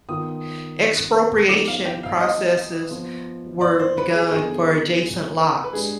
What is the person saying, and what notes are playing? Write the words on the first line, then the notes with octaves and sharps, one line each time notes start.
Expropriation processes were begun for adjacent lots.
D#3 B3 F4 D#6
F3 B3 D#4 G4 D6
F5
G5
F5
D#5
F3 B3 F4
D5
C5
B4
G#4
D3 F3 B3 G#4
B4
G#3 D4 G4 G#4